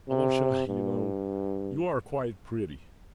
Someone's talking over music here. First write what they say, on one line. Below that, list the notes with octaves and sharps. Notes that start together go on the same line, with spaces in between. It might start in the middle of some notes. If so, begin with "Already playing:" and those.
Alyosha, you know, you are quite pretty!
C3
G2